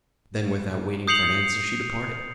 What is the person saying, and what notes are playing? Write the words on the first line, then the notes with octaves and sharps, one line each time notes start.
Then, without waiting for an answer, she departed.
D#6 G6 C7 C#7 F7 F#7